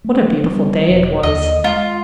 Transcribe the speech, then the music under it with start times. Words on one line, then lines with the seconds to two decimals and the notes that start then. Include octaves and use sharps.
What a beautiful day it was!
0.04 A3
0.44 G3 B3 C4
0.89 E1
1.23 D#2 D#5
1.64 G#3 F4